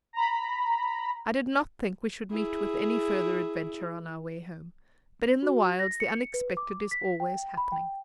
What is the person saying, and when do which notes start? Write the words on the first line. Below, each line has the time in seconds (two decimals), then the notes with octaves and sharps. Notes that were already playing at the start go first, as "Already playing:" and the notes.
I did not think we should meet with any further adventure on our way home, but in the wilds the unexpected is always happening.
0.13 A#5 B5
2.32 E4 G#4
5.43 F#4
5.79 A#6
6.00 C#7
6.34 B4
6.57 D6
6.91 B6
7.20 G5
7.57 B5
7.72 G5